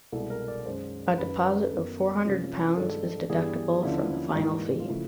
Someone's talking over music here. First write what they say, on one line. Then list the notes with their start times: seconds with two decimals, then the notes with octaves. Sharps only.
A deposit of four hundred pounds is deductible from the final fee.
0.12 C2 B2 G#3 B3 A4
0.30 A#4
0.48 D5
0.65 F#2 D#3 G#3 C#4 C5
1.18 F#2 D#3 G#3 C#4 B4
1.66 A4
1.71 F#2 D#3 F#3 B3 A#4
2.24 C3 F3 A#3 C#4
2.77 G2 D#3 G#3 A4
3.30 G2 E3 G3 B3 G#4
3.82 D#2 D3 F3 A#3 C#4 E4
4.30 E4
4.35 G#2 E3 G3 A#3 D#4
4.80 F4
4.88 C#3 F3 A3 E4